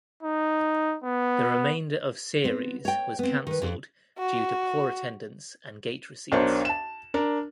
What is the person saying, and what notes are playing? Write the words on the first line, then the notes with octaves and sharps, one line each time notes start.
The remainder of series was cancelled due to poor attendance and gate receipts.
D#4
B3
B3 C4
C#5 G5
B3 C4
D#3 B4
F2
F#4
B1 D4 A#4 C5 C#5
A5 E7
D4 A#4